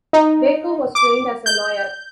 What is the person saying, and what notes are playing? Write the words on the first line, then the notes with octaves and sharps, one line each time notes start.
Baker was trained as a lawyer.
D#4
D6
G6